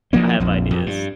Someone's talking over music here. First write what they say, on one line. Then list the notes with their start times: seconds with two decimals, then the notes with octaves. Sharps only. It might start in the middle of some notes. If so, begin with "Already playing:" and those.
I have ideas.
0.13 E3 F3 A#3 C4
0.40 A#1 F2
0.71 F2
0.86 G2